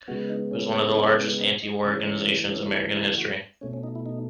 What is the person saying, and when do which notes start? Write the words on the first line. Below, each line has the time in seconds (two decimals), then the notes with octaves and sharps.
It was one of the largest anti-war organizations in American history.
0.08 C#3 G#3 B3 F#4
0.30 D#4
0.51 C#4
0.96 D#4
1.18 C#4
1.41 D#4
1.62 D#4
1.85 C#3 E3 A3 C#4
2.29 C#4
2.51 C#4
2.73 D#4
2.95 E4
3.17 F#4
3.61 B2 A3 C#4
3.73 C#4
3.83 D#4
3.95 E4
4.06 D#4